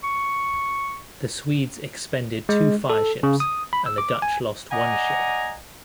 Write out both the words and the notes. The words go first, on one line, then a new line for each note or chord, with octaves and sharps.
The Swedes expended two fireships and the Dutch lost one ship.
C#6
G#3
A4
C#3
D#6
B5
E6
D6
G#5
D5 D#5 F#5 G#5 A#5